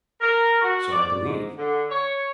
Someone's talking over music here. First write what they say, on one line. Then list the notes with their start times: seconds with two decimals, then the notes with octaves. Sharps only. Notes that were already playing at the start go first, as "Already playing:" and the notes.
So I believe.
0.21 A#4
0.61 F#4
0.92 D5
1.22 G#2
1.57 D3
1.89 C#5